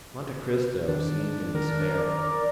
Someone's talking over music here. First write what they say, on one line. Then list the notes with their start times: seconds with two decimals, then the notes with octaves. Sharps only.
Monte Cristo seemed in despair.
0.88 D#3 D4
1.55 D#3 A#4
1.96 D5